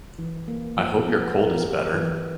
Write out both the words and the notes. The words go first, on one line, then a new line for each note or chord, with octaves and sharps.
I hope your cold is better.
E3
A#3
F3
B3
A#4
G4
E3